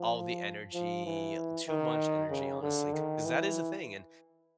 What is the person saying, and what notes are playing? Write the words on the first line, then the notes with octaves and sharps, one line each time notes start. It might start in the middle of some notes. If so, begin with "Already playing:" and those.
all the energy, too much energy, honestly, 'cause that is a thing, and
Already playing: F3
F3
E3
D#3
C#3
D3
D#3
E3